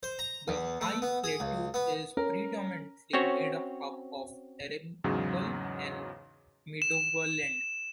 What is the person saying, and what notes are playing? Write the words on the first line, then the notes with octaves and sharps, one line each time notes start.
The high plateau is predominantly made up of arable and meadowland.
C5
A#5
E2
A3
B3
G#4
C#2
B3
C#4 A#4
C4 C#4 F#4 C#5
E2 G#2 C#3 F#3
E7